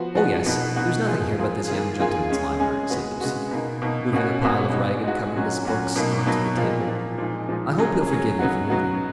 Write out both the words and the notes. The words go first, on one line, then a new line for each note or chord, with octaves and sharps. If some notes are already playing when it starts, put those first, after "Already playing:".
"Oh, yes; there is nothing here but this young gentleman's library," said Lucy, moving a pile of ragged, coverless books on to the table. "I hope he'll forgive me for moving them."
Already playing: F3 B3 F#4
F3 B3 F#4
B2 A#3 D#4 F#4
B2 A#3 D#4 F#4
F3 A#3 F4 G#4
F3 A#3 F4 G#4
D#3 A#3 F4 G#4
D#3 A#3 F4 G#4
G#3 C#4 G#4
G#3 C#4 G#4
C#3 G#3 B3 F#4
C#3 G#3 B3 F#4
B2 A#3 D#4
B2 A#3 D#4
B2 A#3 C#4 F#4
B2 A#3 C#4 F#4
G#3 D#4 F#4
G#3 D#4 F#4
A#2 F#3 C#4 F#4
A#2 F#3 C#4 F#4
B2 F#3 A#3 D#4
B2 F#3 A#3 D#4
A#2 F3 A#3
A#2 F3 A#3
A#2 F3 G#3 D#4
A#2 F3 G#3 D#4
F#3 C#4 G#4
F#3 C#4 G#4
C#3 F#3 B3 D#4 F#4
C#3 F#3 B3 D#4 F#4